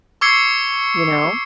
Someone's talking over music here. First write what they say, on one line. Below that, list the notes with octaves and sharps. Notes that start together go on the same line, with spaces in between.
You know?
C#6 D6 E6 G#6 C7 C#7